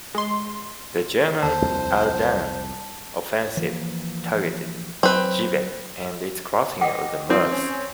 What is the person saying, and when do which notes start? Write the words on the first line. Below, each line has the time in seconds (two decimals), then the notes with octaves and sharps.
The German Ardennes Offensive targeted Givet and its crossing of the Meuse.
0.14 G#3 C6
1.43 D#2 C5 A5
1.62 C2 F2
3.57 E3 F3 A#3
5.03 F#3 C4 B4
6.81 D#5 F#5 G5 D6
7.30 F3 C4
7.52 C#4